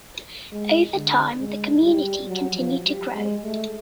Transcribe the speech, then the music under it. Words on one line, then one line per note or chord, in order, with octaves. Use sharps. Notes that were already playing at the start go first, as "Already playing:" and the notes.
Over time, the community continued to grow.
G#3
D3
G#3
G3
F#3
F3
G3
G#3
A3